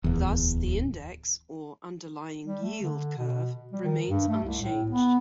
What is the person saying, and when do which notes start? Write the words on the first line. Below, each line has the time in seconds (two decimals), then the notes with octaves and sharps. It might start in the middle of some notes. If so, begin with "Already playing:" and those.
Thus the index, or underlying yield curve, remains unchanged.
0.04 D1 E2
2.46 G3
2.63 A3
2.82 D3
3.18 B2
3.73 G3
3.84 D#3
4.08 G2
4.28 A3
4.44 C2
4.61 A2
4.90 B3